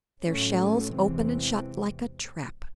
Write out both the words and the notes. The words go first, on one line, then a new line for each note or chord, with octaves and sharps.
Their shells open and shut like a trap.
A2 F#3 A3 C#4
E2 C3 E3 G#3 C4